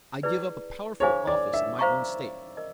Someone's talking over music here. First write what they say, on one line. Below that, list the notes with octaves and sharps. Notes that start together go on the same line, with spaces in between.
I give up a powerful office in my own state.
E4 G#4 B4 D5
E4 G#4 C5 C#5 F5 G#5
D5
E5
C5 F5 A#5 C#6
A#4 D#5